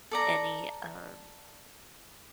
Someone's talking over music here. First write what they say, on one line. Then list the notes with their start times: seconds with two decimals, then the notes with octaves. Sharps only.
any, um,
0.11 A4 D5 A#5